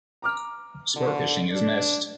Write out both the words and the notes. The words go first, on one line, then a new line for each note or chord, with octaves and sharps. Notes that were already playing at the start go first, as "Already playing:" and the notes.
Sportfishing is missed.
A#5 D6 F6
D3
D4